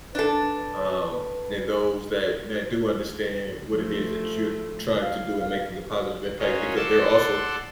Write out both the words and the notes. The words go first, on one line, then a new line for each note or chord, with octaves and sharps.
Um, and those that that do understand what it is that you're trying to do in making a positive impact, because they're also
D4 A4 B4
F3 A3
F5
C#4 F4 F#4 A#4 C#5 D#5
A4 D5 F#5 A5 C6 E6